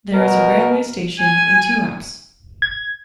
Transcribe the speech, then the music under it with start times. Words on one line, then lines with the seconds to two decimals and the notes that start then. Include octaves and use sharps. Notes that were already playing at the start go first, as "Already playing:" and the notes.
There is a railway station in Tuapse.
0.14 B2 A#4
1.19 G#5
2.62 G#6